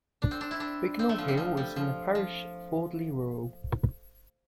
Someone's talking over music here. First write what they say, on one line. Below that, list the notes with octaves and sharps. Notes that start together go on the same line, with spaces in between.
Bignall Hill is in the parish of Audley Rural.
D4
C4
D4
E4
D4
C4
A3
F3
G3
F3
G3
F3
F3